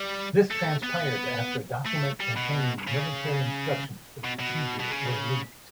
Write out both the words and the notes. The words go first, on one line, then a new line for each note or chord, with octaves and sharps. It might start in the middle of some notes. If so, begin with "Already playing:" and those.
This transpired after a document containing the military instructions for the procedure was leaked.
Already playing: G3
A3
B3
A3
G3
B2
C#3
B2
B2
B2
C#3